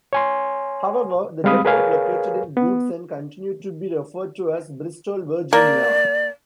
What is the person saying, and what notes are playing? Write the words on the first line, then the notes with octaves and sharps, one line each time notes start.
However, the depot located in Goodson continued to be referred to as Bristol, Virginia.
C#5 G#5 C6
G3 G#3 C4 F5 B5 D#6
G#4 A#4 B4 C#5 F5 G#5
B3
A#3 D5